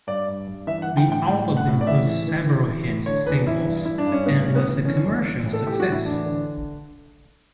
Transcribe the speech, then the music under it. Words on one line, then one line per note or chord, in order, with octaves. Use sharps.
The album includes several hit singles and was a commercial success.
G2 D5
G2
G2
E3 E5
F#5
E3
G5
A2 G5
A2 G5
A2
F#5
A2
D5
E3 E5
A2
E3
E3
E3
A2
D3 C#5
E2 B4
E2 E4
G2
G2 E4
D4
G2
C#4
A2 B3
A2 C#4
B3
E3
D3 C#4
E2
E2
A2
A4
E3 G4
F#4
A2
E4
E2 D4
D3